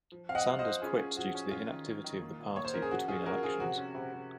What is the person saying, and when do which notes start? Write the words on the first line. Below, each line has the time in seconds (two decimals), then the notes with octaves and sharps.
Sanders quit due to the inactivity of the party between elections.
0.12 F3
0.29 C4 F5
0.35 D#5 F#5
0.46 F3
0.59 C5 D#5
0.65 F3
0.82 C#4 F4 G#4
0.99 C#4
1.16 F3 F#4
1.35 C#4
1.51 C#4 F4
1.69 D#3
1.86 C#4
2.04 D#3
2.21 A#3
2.39 A#2
2.56 A#3 C#5
2.65 C5
2.74 C#4 A#4
2.82 G#4
2.91 F3 F#4
3.08 C#4 F4 G#4
3.26 C#4 F#4 A#4
3.43 F3 F4 G#4
3.60 C3 F#4
3.78 C#4
3.95 C3
4.12 C3